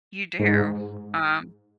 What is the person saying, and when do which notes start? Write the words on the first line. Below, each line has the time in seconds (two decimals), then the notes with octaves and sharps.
You do, um
0.39 G#2